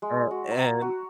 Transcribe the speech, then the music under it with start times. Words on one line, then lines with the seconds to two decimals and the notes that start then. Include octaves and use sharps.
a and
0.02 G#3
0.31 F#4
0.51 A#5
0.82 F#4